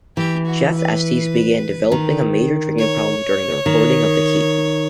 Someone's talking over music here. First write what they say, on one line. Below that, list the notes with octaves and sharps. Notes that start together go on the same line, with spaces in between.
Jeff Estes began developing a major drinking problem during the recording of "The Key".
E3 G4
F#4
B4
D#3
C#5
D#3